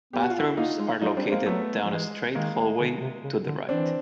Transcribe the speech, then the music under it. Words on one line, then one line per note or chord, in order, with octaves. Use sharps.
Bathrooms are located down a straight hallway to the right.
B3 G4
F#4
F4
E4 F#4
A#3 D#4 F4
G#3
F#3 D#4 F4
G3 C4 D4
G#3 A#3 C4
F#3 A3 B3
F3
E3 G#3
D#3 G#3 A#3
D3
C3
C#3
D3
E3 C4 D4